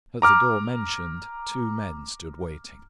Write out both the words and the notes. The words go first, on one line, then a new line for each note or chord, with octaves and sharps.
At the door mentioned two men stood waiting.
A#5 D6 F6